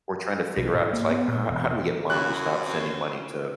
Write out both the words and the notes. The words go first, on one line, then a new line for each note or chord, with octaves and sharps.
We're trying to figure out it's like, "Uh, how do we get mom to stop sending money to
B1
G#2
A#3
B3
A#2
E1
F#2 C#3 E4 F#6
C4